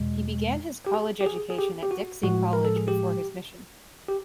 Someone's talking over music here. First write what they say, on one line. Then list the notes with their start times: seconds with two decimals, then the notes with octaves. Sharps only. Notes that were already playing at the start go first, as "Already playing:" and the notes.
He began his college education at Dixie College before his mission.
Already playing: E2 B2 G#3
0.87 G4
0.94 G#4
1.21 G4
1.26 G#4
1.50 G#4
1.58 G4
1.83 G4
1.91 F#4
2.23 A2 F3 G#3 F#4
2.53 A#4
2.65 A4
2.76 G#4
2.88 G4
4.09 G4